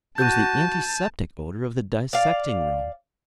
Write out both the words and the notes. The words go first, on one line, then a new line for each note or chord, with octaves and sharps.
It was the antiseptic odour of the dissecting-room.
F#4 A5 G6 D#7
D5 F5